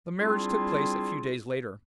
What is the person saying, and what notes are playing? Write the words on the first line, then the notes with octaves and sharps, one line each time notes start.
The marriage took place a few days later.
G3 C4 D4 E4 F4 G#4